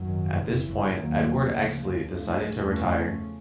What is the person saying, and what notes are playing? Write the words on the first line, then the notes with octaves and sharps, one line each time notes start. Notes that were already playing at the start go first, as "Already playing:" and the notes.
At this point Edward Exley decided to retire.
Already playing: G#1 F#2 D#3 F#3
F#1 F2 C#3 E3
D#2 D#3 F#3 A#3
D2 C#3 F3
D2 D3 F3 A3
E2 C#3 F3 A3 C#4